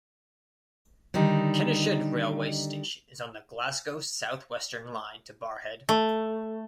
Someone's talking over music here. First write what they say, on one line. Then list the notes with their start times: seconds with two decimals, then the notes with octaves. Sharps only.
Kennishead railway station is on the Glasgow South Western Line to Barrhead.
1.14 D3 D#3 G3 D#4
5.89 A3